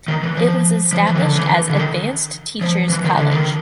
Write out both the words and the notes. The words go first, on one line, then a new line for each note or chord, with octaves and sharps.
It was established as Advanced Teachers’ College.
D#3
E3
F3
F3
E3
D#3
D3
E3
D3
D#3
F3
E3
D#3
D3
D#3